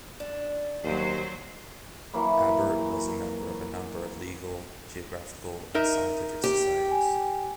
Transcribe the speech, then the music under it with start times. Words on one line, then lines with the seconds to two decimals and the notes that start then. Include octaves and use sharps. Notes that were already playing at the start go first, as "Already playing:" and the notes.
Abert was a member of a number of legal, geographical and scientific societies.
0.20 D4
0.84 D#2 F#3 C5
2.14 E3 F#3 A#3 B5
5.74 D#4 A#4 E5
6.44 G4
6.91 G#5